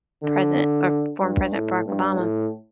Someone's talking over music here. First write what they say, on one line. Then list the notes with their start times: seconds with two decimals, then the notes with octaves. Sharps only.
President or former President Barack Obama
0.23 D3
1.21 G2
1.53 A2
1.86 G2
2.18 A2